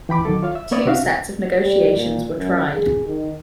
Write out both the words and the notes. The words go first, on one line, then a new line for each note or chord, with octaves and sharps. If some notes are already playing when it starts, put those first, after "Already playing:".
Two sets of negotiations were tried.
E3 G5 B5 D6
D#3 F#3 A4 D6
F4 C#5 F5
E5 E6
A#3 B3 C#5 D5 D#6 E6
C3 C4 F#4 E5 F5
G3
A#2
F#2
G#4
D#3